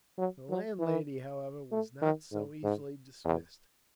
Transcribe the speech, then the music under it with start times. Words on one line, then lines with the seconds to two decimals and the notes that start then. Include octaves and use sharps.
The landlady, however, was not so easily dismissed.
0.18 F#3
0.50 F#3
0.79 E3
1.72 A3
2.02 D#3
2.32 G#2
2.64 G#2
3.25 E2